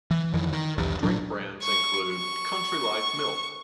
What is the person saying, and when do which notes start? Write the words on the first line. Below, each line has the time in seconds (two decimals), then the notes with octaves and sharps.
Drink brands include "Country Life Milk".
0.11 E3
0.34 F2 D#3 E3
0.53 D#3
0.78 B1 E2 G2
1.03 D1 A#2 F#3 D4
1.63 C#6
2.09 C#6